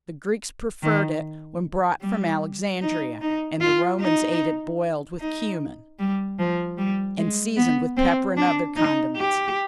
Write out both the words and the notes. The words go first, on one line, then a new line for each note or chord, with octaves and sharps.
The Greeks preferred it when brought from Alexandria, and the Romans ate it boiled with cumin, and seasoned with pepper and other condiments.
D#3
G3
D#4
D#4
F4
D#4
D#4
G3
F3
G3
G#3
B3
C4
D4
D#4
G4